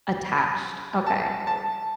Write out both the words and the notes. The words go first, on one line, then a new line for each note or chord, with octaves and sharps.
Attached, okay.
A5
A5